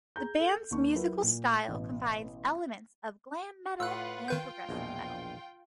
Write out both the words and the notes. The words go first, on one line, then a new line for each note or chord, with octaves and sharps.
The band's musical style combines elements of glam metal and progressive metal.
G#4 A#5 G6
A4
D#2 A#3 D4 C#6
F#3 E4 F4 A#4 B4
A#2
A1 B2
A2 F4 B4 F#5 E6 F#6
D#3 F4 B4 G5 G6
A#1 E2 B2